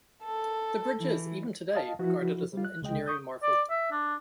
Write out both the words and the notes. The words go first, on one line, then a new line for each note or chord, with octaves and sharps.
The bridge is, even today, regarded as an engineering marvel.
A4
E3
D#5 F5 A5
F3 E4 F#4 B4
G3 F4
F#6
C2 C#3 G#3 D#5 G5
C#6 D#6 G6
D5
E5
D4